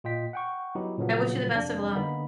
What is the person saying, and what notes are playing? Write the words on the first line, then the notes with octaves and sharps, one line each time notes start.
I wish you the best of luck.
A#2 F4 D#5 G5 B6
F#5 G5 C#6
F#3 B3 D#4 E4 F#4 G4
A#2 C#3 F3 F#3 A#3 B3
F2 C3 D4
D3 A#3 B3 D#4 B5